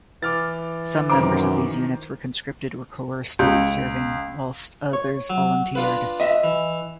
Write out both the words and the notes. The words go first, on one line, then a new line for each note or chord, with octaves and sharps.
Some members of these units were conscripted or coerced into serving, whilst others volunteered.
E3 D6 F6 A6
F#2 D#3 C5 A#5 D6
C#2
C#5
F#3
D4 F4 B4
D#5 E5
E3